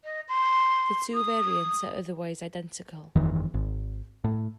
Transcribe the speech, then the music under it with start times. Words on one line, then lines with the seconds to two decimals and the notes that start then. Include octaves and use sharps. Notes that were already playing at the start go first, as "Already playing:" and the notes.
The two variants are otherwise identical.
0.04 D#5
0.29 C6
1.14 D#6
3.16 G1 F2 D#3 E3
3.54 G#1
4.24 A2